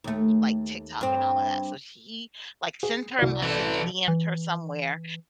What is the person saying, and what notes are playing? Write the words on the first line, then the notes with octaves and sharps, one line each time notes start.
like TikTok and all of that. So, he, like, sent her a message, DM'd her somewhere
D#2 A3
G2 C4
G#4
C2 F#4 D5
E3 A4
E3